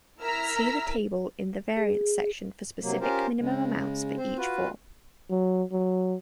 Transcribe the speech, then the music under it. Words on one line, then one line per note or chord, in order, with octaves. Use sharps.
See the table in the variants section for specific minimum amounts for each form.
E4 A#4 A#5 E6 F6 B6
G#4
C3 F#3 A#3
C#4 F4 G4 A#4 C5
C#3 G#3
C4 C5
F4 F#4 B4
F#3
F#3